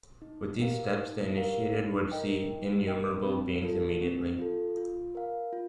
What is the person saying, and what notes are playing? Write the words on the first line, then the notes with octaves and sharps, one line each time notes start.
With these steps the initiated would see innumerable beings immediately.
D#4
G4 A#4 F5
D#4
G4 A#4 F5
D#4
A#4 D#5 G5
D#4
A#4 D#5 G5
C4
F4 A4
C4
F4 A4
F4
A#4 F5
F4